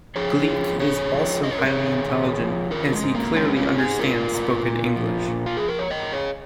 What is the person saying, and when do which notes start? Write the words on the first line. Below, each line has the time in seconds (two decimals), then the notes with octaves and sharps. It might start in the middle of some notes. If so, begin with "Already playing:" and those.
Gleek is also highly intelligent, as he clearly understands spoken English.
0.16 F3 G#4 C#5
0.48 F3
0.79 A#2 G#4 C#5
1.12 F3
1.43 G#2 D#5
1.51 C#5
1.59 A#4
1.66 G#4 C#5
1.75 D#3
2.07 A#2
2.40 F3
2.71 D#3 F4 A#4
2.93 G#3
3.03 G#2
3.15 A#3
3.35 F3 G#3 C#4
3.56 C#4 F4
3.67 G#2
3.78 D#4 G#4
3.99 G#2 F4 A#4
4.32 G#2
4.63 A#2
4.96 F3
5.28 A#2
5.46 F4
5.57 F3 G#4
5.68 A#4
5.79 C#5
5.90 G#2 A#4 D#5
6.12 G#4 C#5